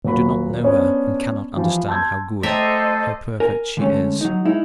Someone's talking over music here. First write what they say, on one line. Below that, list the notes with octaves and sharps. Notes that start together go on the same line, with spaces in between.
You do not know her, and cannot understand how good, how perfect she is.
D#1 A#2 F#3 F#4 B5
B3 C#4 D4 C5
E3 F3 G3
A5 C6 E6 G6 G#6
A3 G4 A4 C5 D#5 E5 A#5
A#4 G#5
D3 G#3 A3 C#4
F#3 D#4
G#3 D#4 E4